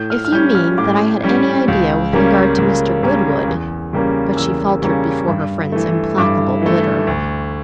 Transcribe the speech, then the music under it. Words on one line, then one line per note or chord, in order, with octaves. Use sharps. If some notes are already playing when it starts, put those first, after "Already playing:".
"If you mean that I had any idea with regard to Mr. Goodwood--!" But she faltered before her friend's implacable glitter.
Already playing: A2 G6
F6
F6
G3 C#4 G6
F6
A2 D6
G3 C#4
C#2
C#3 G3 A#3 C#4
C#2
C#3 G3 A#3 C#4
E2
C#3 G3 A#3 C#4
E2 E6
C#3 G3 A#3 C#4
G2
E3 A3
G2 D6
E3 A3
D2